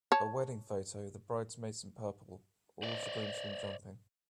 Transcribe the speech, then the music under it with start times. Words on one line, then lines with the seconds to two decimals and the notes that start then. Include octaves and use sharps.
A wedding photo, the bridesmaids in purple, all of the groomsmen jumping.
0.12 C#5 A5
2.83 C5 D5 D#5